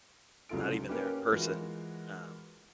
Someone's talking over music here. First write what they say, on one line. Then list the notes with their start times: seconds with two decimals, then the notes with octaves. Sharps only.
not even there in person, um,
0.49 C2 C#3 F#3 F4 A4 D7
0.88 A#3 C#4 G4 B4
1.32 E3 G#3 F4 F#4 A#4